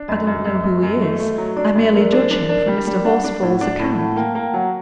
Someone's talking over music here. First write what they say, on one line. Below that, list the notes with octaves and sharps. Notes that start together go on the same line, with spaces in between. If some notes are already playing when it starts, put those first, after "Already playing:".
I don't know who he is; I merely judge him from Mr. Horsfall's account.'
Already playing: D4
F#2 D#5
F#2
F#2
F#2
F#2
A3
A3
F#3
D4 D5
F#2
F#2 A#4
D4
D4 D5
D4
G3
G3
D4 F#5
D4
A2
D4
A2 A5
A2
A#3 G5
A#3
F#3 F#5